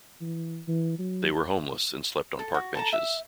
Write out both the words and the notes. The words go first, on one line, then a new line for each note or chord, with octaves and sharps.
They were homeless and slept on park benches.
E3
E3
F#3
A4
F#4
A4 A5 A#5
E5